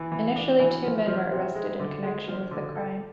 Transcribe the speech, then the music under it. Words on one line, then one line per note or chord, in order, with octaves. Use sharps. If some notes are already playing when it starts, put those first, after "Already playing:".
Initially, two men were arrested in connection with the crime.
Already playing: E3
E3
D4
E3
F3
F3
C3
G#3
D3
G#3
F3
D3
A4